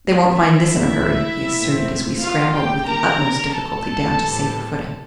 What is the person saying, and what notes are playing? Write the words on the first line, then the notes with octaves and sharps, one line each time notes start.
"They won't find this in a hurry," he asserted, as we scrambled with the utmost difficulty down to safer footing.
D3 F3 C4 E4 E5
A#2 A3 C4
F4 F5
G4 G5
D3 G3 A#3 A#4 A#5
A4 A5
A2 E3 G3 C4